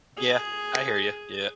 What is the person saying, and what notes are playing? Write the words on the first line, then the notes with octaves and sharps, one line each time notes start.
Yeah, I hear you, yeah.
G#4